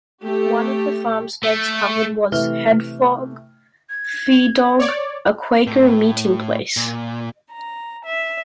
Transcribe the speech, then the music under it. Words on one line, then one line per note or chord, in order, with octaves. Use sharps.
One of the farmsteads covered was Hafod Fadog, a Quaker meeting place.
A3 G4
A3
C3 E3 A3 F6 G7
G#6
C#5 D5
A2
A#2
A#5
E5